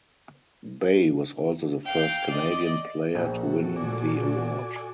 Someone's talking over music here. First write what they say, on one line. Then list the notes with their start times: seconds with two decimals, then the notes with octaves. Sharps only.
Bay was also the first Canadian player to win the award.
1.84 F5 G5
2.29 D5 D#5
3.15 A#1 F#4 A4
3.76 A#2 D5 G#5 D6